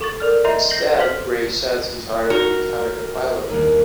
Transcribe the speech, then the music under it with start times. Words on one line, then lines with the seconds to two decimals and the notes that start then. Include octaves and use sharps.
Instead, Ray sets his heart on becoming a pilot.
0.01 A4 C#6 A6
0.20 A4 A#4 D5 F6
0.44 D#5 E5 A#5 C6 G6 C7
0.70 G6 A#6 C7 F#7 G7
0.98 A4 C5 C6 F6 B6 F#7
2.30 D#4 F#4 A#4 F#5
3.49 D#2 G3 A#3